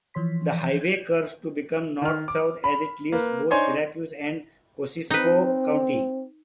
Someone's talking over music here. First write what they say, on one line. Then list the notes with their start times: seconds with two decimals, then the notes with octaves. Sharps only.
The highway curves to become north-south as it leaves both Syracuse and Kosciusko County.
0.14 E3 F3 C#5 C6 B6
2.02 D#3 F6
2.28 D6
2.64 B5
3.12 A#3 B4
3.50 D4 D#4 C5 C#5 G#5 C6
5.10 C4 D#4 B4